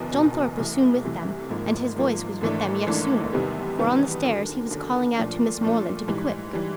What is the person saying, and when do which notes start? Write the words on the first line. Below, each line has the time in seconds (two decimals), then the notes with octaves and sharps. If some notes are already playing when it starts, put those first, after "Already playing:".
John Thorpe was soon with them, and his voice was with them yet sooner, for on the stairs he was calling out to Miss Morland to be quick.
Already playing: F#1 E2 B2
0.12 F#1 E2 B2
0.57 C2 C3 E3 A3
1.03 C2 C3 E3 A3
1.49 G#1 G#2 F3 A#3
1.95 G#1 G#2 F3 A#3
2.41 G#1 G#2 E3 A3 D4
2.87 G#1 G#2 E3 A3 D4
3.33 E2 C3 D#3 G3 B3
3.79 E2 C3 D#3 G3 B3
4.25 D#2 D3 F#3
4.71 D#2 D3 F#3
5.16 A#2 F3 A3 D4
5.61 A#2 F3 A3 D4
6.08 G#2 E3 G3
6.53 E3 G3